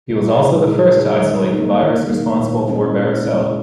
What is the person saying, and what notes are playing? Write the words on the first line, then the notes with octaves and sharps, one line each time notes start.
He was also the first to isolate the virus responsible for varicella.
A#2
G#3 D#4 G#4
A#2
G#3 D#4 G#4
D#3
A#3 D#4
D#3
A#3 D#4
A#2
G#3 C#4 E4
A#2
G#3 C#4 E4